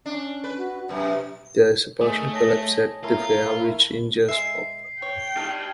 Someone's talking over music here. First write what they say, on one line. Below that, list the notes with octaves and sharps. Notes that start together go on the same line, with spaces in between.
There is a partial collapse at the fair which injures Pop.
C#4 D4
B4
F#4
F#2 C3 B4
A3 D#4 G#4
C#5 A5 A#6
A3 E4 F4 A#4
E4 B5 C#6
G#3 E5 C7
C#5 G5
D#4 G4 A5 F6